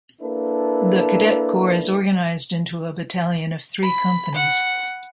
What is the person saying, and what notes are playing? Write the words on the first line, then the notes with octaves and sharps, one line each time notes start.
The cadet corps is organized into a battalion of three companies.
A#3 D4 E4 A4 B4
B5
F#5